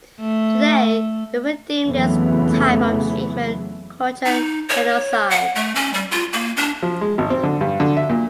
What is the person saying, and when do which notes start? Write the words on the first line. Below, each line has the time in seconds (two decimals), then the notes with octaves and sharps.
Today we would deem this type of treatment 'Cultural Genocide'.
0.20 A3
1.87 F2 C#3 E3 F#3 A3 B3
4.26 D#4
4.69 C#5
5.30 F#5
5.55 A3
5.75 C#4
5.94 G3
6.11 F4
6.33 A#3
6.57 D4
6.83 F3
7.01 G#3
7.18 G#1
7.30 C4
7.43 D3
7.61 G2
7.80 D3
7.97 E5
8.10 A#2